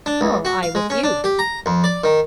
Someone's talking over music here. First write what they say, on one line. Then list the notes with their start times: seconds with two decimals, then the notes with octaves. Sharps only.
Nor I with you.
0.06 D4
0.21 C#2
0.45 F#4
0.63 F5
0.75 G#3
0.90 C#4
1.04 D4
1.24 G4
1.39 A#5
1.66 F2
1.84 D5
2.04 D#3